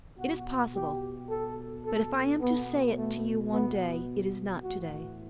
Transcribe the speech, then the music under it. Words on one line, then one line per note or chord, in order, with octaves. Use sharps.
"It is possible; but if I am to say it to you one day, it is not to-day."
B2 F#4
G4
A4
A4
B2 B3
A3
B3
A2 E3 F#4